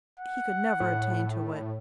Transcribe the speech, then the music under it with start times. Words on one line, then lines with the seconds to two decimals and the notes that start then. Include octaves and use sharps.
He could never attain to it.
0.19 F#5
0.80 A2